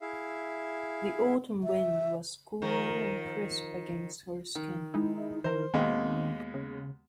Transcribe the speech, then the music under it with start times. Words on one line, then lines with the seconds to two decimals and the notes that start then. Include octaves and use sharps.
The autumn wind was cool and crisp against her skin.
0.01 E4 G#4 E5 F5
1.64 E5
2.62 D#3 F3 A#4
4.55 D#3
4.94 G#3 D#4 E4
5.44 D#3 E3 A#4 C5
5.74 D#2 B2 D#3 G#3 C4
6.54 C#3